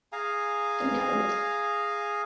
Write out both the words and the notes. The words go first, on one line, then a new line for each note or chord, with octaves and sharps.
In the Govt.
G#4 F5 G#5 A#5